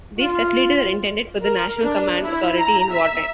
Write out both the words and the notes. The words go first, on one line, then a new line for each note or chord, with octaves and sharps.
These facilities are intended for the national command authority in wartime.
F4
A#4
D4
E4
A#5
E5